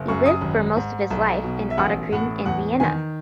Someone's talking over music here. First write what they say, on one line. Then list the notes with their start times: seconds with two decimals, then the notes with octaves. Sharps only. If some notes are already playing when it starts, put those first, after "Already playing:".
He lived for most of his life in Ottakring in Vienna.
Already playing: F#1
0.08 F#2 C#6
0.25 D#6
0.41 G#1
0.77 G#2
1.10 B1
1.43 B2
1.70 E5
1.77 A1 F#5
2.12 A2 F#5
2.45 E2 F#5
2.80 D#3 G#5